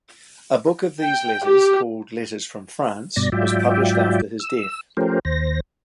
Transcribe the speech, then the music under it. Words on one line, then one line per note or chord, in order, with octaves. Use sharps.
A book of these letters, called "Letters from France", was published after his death.
G5
G4
G2 B2 D5 A#6
G#2 F#3 F4 D5 E5 G5
E6
F3 A3 C#4 G4 A#4 C5
D#2 C5 A#6